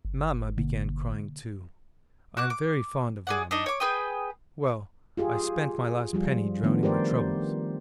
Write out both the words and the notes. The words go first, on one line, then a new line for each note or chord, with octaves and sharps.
Mamma began crying, too--I am very fond of mamma--well, I spent my last penny drowning my troubles.
G1
B2 D3 A#3
F#4 D6 F#6
D6
G#4 D5 F#5
D4 D#4 D#5
C#5 D6
G#4 B4 G5 D#6
F4 G4 G#4
F3 G3 F4
D#3 F3 A3 B3 D4
G4 A#4 C5 D5